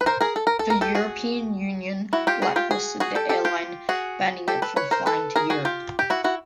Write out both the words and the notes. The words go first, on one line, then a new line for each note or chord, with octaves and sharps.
The European Union blacklisted the airline, banning it from flying to Europe.
B4
A#4 C5
G#4 A#4
A4
A#4
A4
A#4
G4 A4
F#4 G#4
E4 F#4
F4 G4
F#4 G#4
F4 G4
F#4 G#4
F#4 G#4
G4 A4
G4 A4
F4 G4
F#4 G#4
G4 A4
A4 B4
B4 C#5
A#4 C5
A4 B4
G#4 A#4
F#4 G#4
F4 G4
G4
E4 F#4
E4 F#4